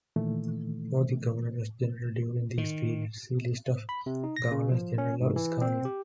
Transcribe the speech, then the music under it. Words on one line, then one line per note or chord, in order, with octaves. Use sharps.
For the Governors-General during these periods, see List of Governors-General of Scania.
A#2 D#3 E3 A3
D#3
B5
C3
D#4
A#6
C#3
F3
C#4
G#2
E3
C4
G4